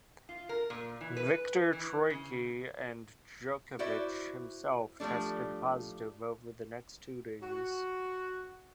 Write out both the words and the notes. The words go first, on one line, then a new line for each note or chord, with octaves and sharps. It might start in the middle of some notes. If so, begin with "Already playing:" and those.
Viktor Troicki and Djokovic himself tested positive over the next two days.
F4
A#4
A#2
E3
B4
E3
C#3
E4 F#4 C5 D5 E5
F3 G3 A3 D4
F#4